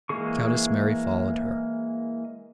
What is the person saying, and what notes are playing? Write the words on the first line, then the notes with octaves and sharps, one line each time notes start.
Countess Mary followed her.
E3 G#3 A#3 G#4 C#6